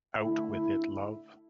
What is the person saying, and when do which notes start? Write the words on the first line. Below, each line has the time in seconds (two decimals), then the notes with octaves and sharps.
Out with it, love.
0.21 D3 A3 E4